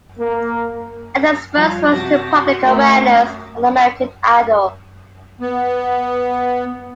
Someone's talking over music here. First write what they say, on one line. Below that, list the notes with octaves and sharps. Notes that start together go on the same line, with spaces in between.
Adams first rose to public awareness on "American Idol".
A#3
F3 G3 C#5 F5
C3 F#4 G4 A5 A#6
F#4 C6
A3 C#4 F#4 G#4 A#4 E5
B3